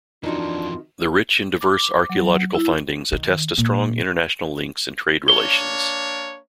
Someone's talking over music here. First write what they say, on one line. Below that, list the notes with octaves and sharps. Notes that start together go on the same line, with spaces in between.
The rich and diverse archaeological findings attest to strong international links and trade relations.
F2 D#3 E3 D4 D#4 F4 F#4
D6
F#3
E4
D#3
A#2
A#3 D4 C#5 G7